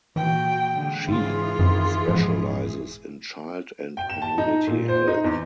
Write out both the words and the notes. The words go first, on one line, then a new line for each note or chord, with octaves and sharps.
She specialises in child and community health.
A#2 E3 F#4 G5
D3 G#3
G#2 C#3 E3 F4 G#4
F#2 D#3 C4
D#1 G#2 B2 F3
G5
E7
A5
D#4
A#2
C5
D#4
E2